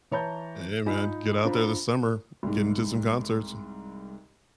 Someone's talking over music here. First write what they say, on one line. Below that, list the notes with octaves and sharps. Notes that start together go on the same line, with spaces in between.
H hey, man, get out there this summer. Get into some concerts.
E3 C#5 A5 A#5 G6
D#4 F4 G#5 B5
D4 F4 C5 A#5 B5
C2 G#2